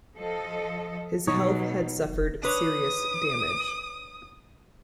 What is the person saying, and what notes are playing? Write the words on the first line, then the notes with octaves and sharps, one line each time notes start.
His health had suffered serious damage.
F3 A4 D#5
B2 F#3 D#4 C#5
D4 B4 C#5 D#6